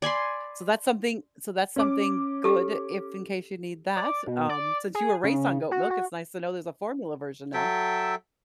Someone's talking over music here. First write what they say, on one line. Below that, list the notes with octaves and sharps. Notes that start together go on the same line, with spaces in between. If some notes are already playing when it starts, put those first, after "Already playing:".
so that's something so that's something good if in case you need that, um, since you were raised on goat milk, it's nice to know there's a formula version now,
D5 G#5 B5 C6
C#4 D6
G4 A4
D5
B2
D5
G#4
C#3
F#4
F#4
F#3 A4 E5 G5